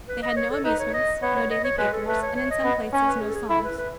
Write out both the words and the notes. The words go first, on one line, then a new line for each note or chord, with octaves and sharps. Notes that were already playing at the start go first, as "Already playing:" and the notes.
They had no amusements, no daily papers, and in some places no songs.
B4
D#5
C#5
A4
D#4 B4
C#5
D#5
B3 C#5
C#5
D#5
C#5
G#3 B4
A4
A3 B4
C#5
C#5
D#5
B3
C#4 C#5
B4
G#4
A4
G#4
E4 A4
B4
B4